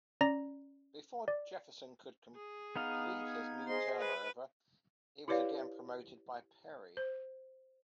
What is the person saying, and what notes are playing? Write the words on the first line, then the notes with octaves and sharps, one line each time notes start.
Before Jefferson could complete his new term, however, he was again promoted by Perry.
C#4 D5 A#5 A#6
D5
G#4
B3 D#4 F5
G#6
G#4 C5 D#5 C6
B4
E4 G4 B4 C#5 D5 F5
C5